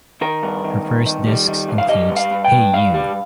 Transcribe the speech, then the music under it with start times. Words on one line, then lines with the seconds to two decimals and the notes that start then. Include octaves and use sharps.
The first disc includes Hey You!!!
0.21 D#3 A#4
0.43 G2
0.64 D#3
0.84 G2
1.06 D#3
1.27 G3
1.48 D#3
1.68 G2
1.78 F5
1.89 G3 D#5
2.10 G2
2.17 F5
2.31 G2
2.45 G5
2.52 G2
2.73 G2 F5
2.94 G3